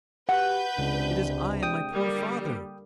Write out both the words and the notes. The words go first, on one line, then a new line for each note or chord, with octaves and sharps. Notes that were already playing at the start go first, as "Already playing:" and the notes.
"It is I and my poor father."
G4 B4 F#5 G6
C#2 C3 G#3 D4
G5 D#6
D3 G3 A#3